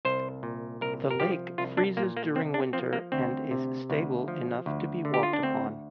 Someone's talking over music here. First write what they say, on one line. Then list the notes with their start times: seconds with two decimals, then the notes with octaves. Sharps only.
The lake freezes during winter and is stable enough to be walked upon.
0.05 C2 C5
0.43 A#2
0.81 C2 A#4
1.10 A#4
1.20 F3 G4
1.58 C2 F4
1.77 D4
1.97 A#2 A#3
2.17 A#3
2.35 C2 C4
2.54 D4
2.73 F3 C4
2.93 A#3
3.12 D2 C4
3.51 C3
3.90 D2
4.28 F3
4.66 D2
5.05 D3
5.14 G4
5.23 F4
5.33 D4
5.42 D2 C4